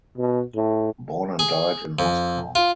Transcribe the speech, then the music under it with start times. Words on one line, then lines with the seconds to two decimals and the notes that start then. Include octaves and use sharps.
Born and died in Moscow.
0.18 B2
0.55 A2
1.39 G#4
1.99 F2
2.55 F4